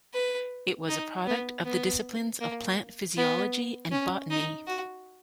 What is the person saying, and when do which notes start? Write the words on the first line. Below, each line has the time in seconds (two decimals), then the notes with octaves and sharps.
It was a product of the disciplines of plant physiology and botany.
0.13 B4
0.88 D#4
1.27 B3
1.64 B3
2.40 A#3
3.17 B3
3.91 C#4
4.30 D#4
4.67 F#4